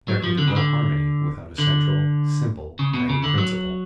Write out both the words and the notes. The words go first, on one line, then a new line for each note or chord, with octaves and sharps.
There can be no harmony, without a central, simple, guiding principle.
F#3
F3
D3
C#3
D3
D3
C#3
B2
C#3
D3
F#3